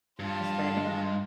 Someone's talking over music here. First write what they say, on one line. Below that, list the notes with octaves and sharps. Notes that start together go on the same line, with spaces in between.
it's funny.
G2 F4 A5
G#3